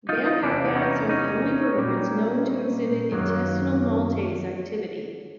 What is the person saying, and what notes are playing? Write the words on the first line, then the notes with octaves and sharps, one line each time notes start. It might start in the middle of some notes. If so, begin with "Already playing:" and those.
Vampire bats are the only vertebrates known to not exhibit intestinal maltase activity.
D#4 F4
D#4 F4
E2 C3 E3 G3 A#3 D4 E4
C#4 D#4
C#4 D#4
A#2 G3 A#3
F#2 D#3 F#3 A#3